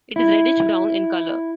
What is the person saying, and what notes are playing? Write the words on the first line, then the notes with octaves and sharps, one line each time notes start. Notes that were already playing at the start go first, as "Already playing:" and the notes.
It is reddish-brown in color.
E4